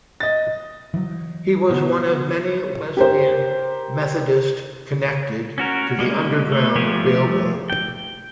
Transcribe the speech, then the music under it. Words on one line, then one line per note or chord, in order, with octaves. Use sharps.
He was one of many Wesleyan Methodist connected to the Underground Railroad.
D#5 A6
E3 F#3
B2
G4 A#4 C5
C#4 F#4 A#4
G3 G#3 A#3 C#4
A3
F3 A3 G4 G#4 C#5
G5